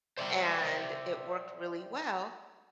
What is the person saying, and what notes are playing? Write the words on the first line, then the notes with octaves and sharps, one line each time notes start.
and it worked really well.
C5 D5 E5 G5